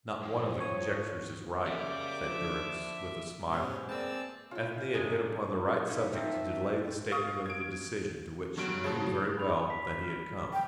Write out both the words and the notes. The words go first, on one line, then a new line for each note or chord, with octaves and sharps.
"Not one of the conjectures is right," said Durrance, with a smile. Ethne had hit upon the right subject to delay the statement of the decision to which she knew very well that he had come.
G#2 F3 E4 G5
C#5 D#6
C#3 G3 A#3 E5 D6
D3 F3 E5
B2 G#3 C#4 G4 C5
A#3 C4 G#4 B4 D5 A5 E6
C#3 E4 F4
A#2 G#3 C#4 D4
A#3 B3 D#4 E4
G#2 A3 C4 F4 E5
F5 C#6 D#6
G#6 D7
G2 F#3 D7
C#3 F3
B5 F7
B6
F6
G5